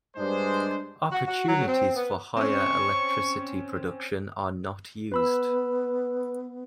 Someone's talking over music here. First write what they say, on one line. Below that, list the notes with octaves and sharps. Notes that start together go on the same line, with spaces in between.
Opportunities for higher electricity production are not used.
G2 G#3 D4 C5
F#4
F#4
F#3
C4
B3
C4 C#4 C#6
B3 B4 B5 E6